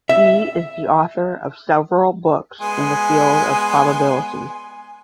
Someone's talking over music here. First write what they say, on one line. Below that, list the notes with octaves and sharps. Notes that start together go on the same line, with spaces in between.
He is the author of several books in the field of probability.
E5
G#3 B3 G#5 C6